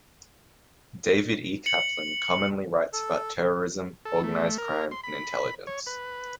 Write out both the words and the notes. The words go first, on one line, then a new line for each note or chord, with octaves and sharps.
David E. Kaplan commonly writes about terrorism, organized crime, and intelligence.
C#7 F#7
A4
A4
A3
A#4
C6
B5
C#5
B4